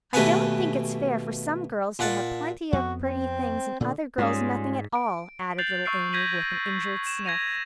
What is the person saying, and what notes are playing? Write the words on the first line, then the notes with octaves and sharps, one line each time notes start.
"I don't think it's fair for some girls to have plenty of pretty things, and other girls nothing at all," added little Amy, with an injured sniff.
D#2 B2 A3 B4 F#5 G#5
A#2 F#5 A5
F2 B3 F#4
C4
A#2 D3
G#2 G3 G#3 C#4 F4 G#4
D7
F#6 G6 A6 C7 F7 F#7
C#6 E6 F#6 C7 D7
G6 G#6 A#6 B6 D#7 F#7
E7
G#6 A#6 D#7 F7